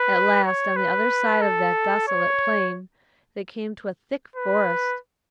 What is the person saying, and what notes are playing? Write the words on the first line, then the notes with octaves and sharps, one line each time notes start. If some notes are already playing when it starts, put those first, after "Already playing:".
At last, on the other side of that desolate plain, they came to a thick forest.
Already playing: B4
C#5
B4
A4
C#5
B4